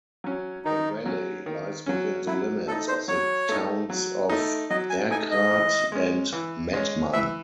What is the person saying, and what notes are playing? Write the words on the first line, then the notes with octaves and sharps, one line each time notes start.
The valley lies within the limits of the towns of Erkrath and Mettmann.
F#3 C#4
D#3 D#4
F#3 C#4
D#3
F#3 C#4
F#3 E4
A3 D#4 A4
C5
F#3 C#5
A3 D#4
F#3
A3 D#4
F#3 D#5
G#5
A3 D#4 G#5
D#5
E3
G#3 C#4
E3
G#3 C#4
E3 E5